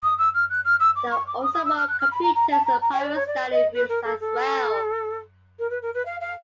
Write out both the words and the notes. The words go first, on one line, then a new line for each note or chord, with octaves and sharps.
There are also more computers and private study rooms as well.
D#6
E6
F6
F#6
F6
E6
D6
C#6
D6
D#6
D#6
E6
F6
F#6
F6
B5
A#5
A#5
A5
A#5
A#5
G5
C#5
D5
C#5
D5
D#5
B4
A#4
A4
A4
A#4
B4
A#4
B4
F5
F5